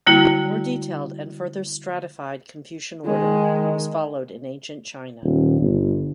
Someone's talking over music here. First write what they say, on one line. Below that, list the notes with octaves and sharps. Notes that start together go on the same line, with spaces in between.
A more detailed and further stratified Confucian order was followed in ancient China.
D3 G3 A#3 E4 F#4
D#3 G#3
D#1
G1